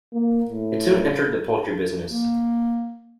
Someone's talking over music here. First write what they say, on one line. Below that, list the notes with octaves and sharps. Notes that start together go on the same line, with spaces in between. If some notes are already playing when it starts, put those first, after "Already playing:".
It soon entered the poultry business.
A#3
A2
A#3